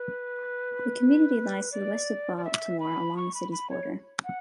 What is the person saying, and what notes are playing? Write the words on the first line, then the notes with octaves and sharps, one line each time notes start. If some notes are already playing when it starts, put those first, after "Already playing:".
The community lies to the west of Baltimore along the city's border.
Already playing: B4
D5
D5
E5
B5
C#6
B5
B5
C#5
F#5